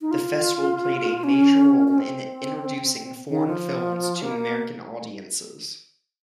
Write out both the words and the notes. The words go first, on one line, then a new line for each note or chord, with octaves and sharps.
The festival played a major role in introducing foreign films to American audiences.
D#4
F4
C#4
C#4
C4
D#3
F3
A#3